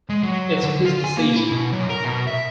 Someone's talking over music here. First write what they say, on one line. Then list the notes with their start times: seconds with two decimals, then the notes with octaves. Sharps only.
It's his decision.
0.09 G#3
0.23 F#3
0.63 D3
0.85 F4
1.04 G#5
1.17 A#3
1.37 E4
1.52 B2
1.73 F#2
1.90 A#4
2.05 B2
2.27 E5